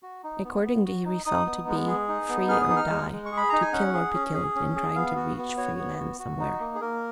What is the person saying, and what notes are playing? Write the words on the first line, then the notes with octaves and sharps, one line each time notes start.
Accordingly he resolved to "be free or die," "to kill or be killed, in trying to reach free land somewhere!"
F#4
D#4
B3
B3
F#4
D#4
D#4 D#6
B3
G#3
G#4
D#4
B3
G#4 F6
D#6
D#4
F6
G#3
G#3
C#6
G#4
B5
D#4 A#5
G#5
C#4 F#5
G#4
C#4
G#4
C#4
G#4
B3 F5
F#4
B3
F#4 C#5
B3
F#4
F#4
D#4
A#3
G#4
A#3 A#4